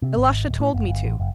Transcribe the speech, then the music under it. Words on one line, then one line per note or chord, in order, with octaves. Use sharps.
Ilusha told me to.
C3
G#1
D1
A2
F#1
G1
A1
F#1